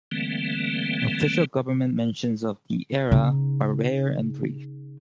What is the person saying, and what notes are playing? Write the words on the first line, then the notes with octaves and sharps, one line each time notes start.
Official government mentions of the era are rare and brief.
D3 E3 G3 A3 A#3 C4
C#3 D#4